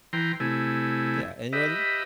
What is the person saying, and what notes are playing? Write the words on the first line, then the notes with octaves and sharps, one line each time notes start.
Yeah, and, you know, the
E3 G5 A#5 C6
C3 A3 E4 G#5
G4 B4 D#5 E5